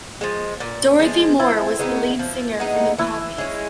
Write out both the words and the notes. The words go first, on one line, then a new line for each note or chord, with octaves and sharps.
Dorothy Moore was the lead singer for The Poppies.
F3 G#3
A#2
F3 G#3
F3 E4
G#3 B3 D#4
F3
G#3 B3 D#4
E3 E4
G#3 C#4